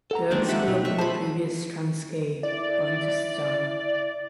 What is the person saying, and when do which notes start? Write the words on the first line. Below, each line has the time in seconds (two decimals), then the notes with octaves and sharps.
Dirks grew up in the previous Transkei bantustan.
0.11 A4 F#5 A#5
0.31 D#3 G#3 A#3 C4 D4
0.48 G#3 F4 G4 E5 F#5
0.68 B2 A3 D#4
0.85 E5 C#6
0.99 F4 G#4 C5 A5 B5
2.43 E4 D5